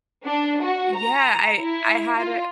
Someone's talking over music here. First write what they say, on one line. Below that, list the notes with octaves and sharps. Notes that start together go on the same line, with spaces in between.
Yeah, I I had a
D4
F#4
A#5
E4
F4